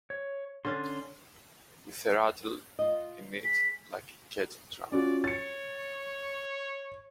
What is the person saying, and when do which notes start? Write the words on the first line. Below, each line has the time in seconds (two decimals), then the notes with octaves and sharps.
With a rattle in it like a kettle-drum.
0.10 C#5
0.65 D3 C#4 D4 C6
2.79 F4 D#5
3.44 G#4 B6
4.92 C#4 F4 F#4 D5
5.24 C#5 A6 C#7